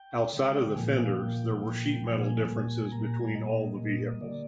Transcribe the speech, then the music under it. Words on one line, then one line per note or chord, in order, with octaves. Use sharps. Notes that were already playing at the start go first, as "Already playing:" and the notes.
Outside of the fenders, there were sheet metal differences between all the vehicles.
Already playing: G5
D3 G#3
A#2 F3 A#3 G#5
D6
F5
A#2 F3 A#3 G5
A#2 F3 A#3
A#2 F3 A#3 G#5
A#2 G3 A#3
A#2 G3 A#3 A#5
A#5
G#5
A#2 G3 A#3 D#5
A#2 G3 A#3
D3 G3 A#3 D5